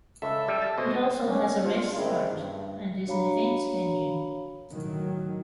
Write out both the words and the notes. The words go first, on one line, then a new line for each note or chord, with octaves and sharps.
It also has a restaurant and is an events venue.
C#2 A4 E5
G3
A5
B2 C5 D#5
C#4 D4
D4 F4 C5
A#2 C#3 G#3 A#3 C4 E4
G2
D4 F#4 C#5 F5 A#5 B5
A2 D#3 F#3